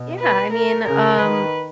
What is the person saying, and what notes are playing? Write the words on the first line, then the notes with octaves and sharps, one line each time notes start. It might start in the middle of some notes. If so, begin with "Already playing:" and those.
Yeah. I mean, um,
Already playing: B2
B4
A#4
C#3 A#4
D#3 B4